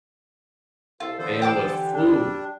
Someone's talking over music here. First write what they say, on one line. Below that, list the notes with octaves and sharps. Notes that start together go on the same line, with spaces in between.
paying with food,
C2 F4 A4
D3 E3 B3 A4 C5
G4 A5 D6
G3 D4